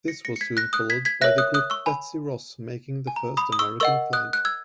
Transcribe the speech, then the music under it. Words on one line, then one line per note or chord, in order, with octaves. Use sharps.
This was soon followed by the group Betsy Ross Making the First American Flag.
A#6 C#7
A#6 C#7
C#7
G#6 B6
F#6 A#6
D#6 F#6
G#6 B6
G#6 B6
A#4 C#5 E5 F#6 A#6
D#6 F#6
D#6 F#6
C#6 E6
G#5 B5
G#5
A#5
B5 D#6
D#6
C#6 E6
A#4 D#5 F#5 C#6 E6
D#6 F#6
F#6
E6 G#6